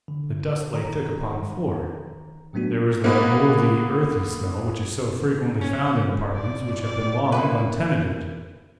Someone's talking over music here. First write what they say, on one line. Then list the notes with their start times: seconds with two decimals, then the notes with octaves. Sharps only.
The dust lay thick upon the floor,--there was that mouldy, earthy smell which is so frequently found in apartments which have been long untenanted.
0.08 D3
0.73 D#3 A#5
2.53 A2 F#3 A3 B3 D4 F#4
3.04 A#3 B3
5.61 C#4
6.36 D5
6.83 D5
7.32 A#3 E4 B4